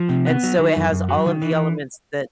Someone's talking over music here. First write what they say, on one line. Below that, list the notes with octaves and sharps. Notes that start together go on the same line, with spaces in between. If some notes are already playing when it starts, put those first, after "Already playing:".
and so it has all of the elements that
Already playing: F3
C3
B3
F#3
D#3
F#2
F#2
F#3
D#3
E3